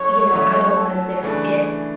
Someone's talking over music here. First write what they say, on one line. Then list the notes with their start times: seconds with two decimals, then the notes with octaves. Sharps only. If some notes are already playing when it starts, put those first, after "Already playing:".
y you know, I don't wanna mix it
Already playing: F#3 C#4 E4 A4 C#5
0.30 F#3 A3 C#4 E4
0.76 A4
1.22 C#3 E3 A3 D4 G#4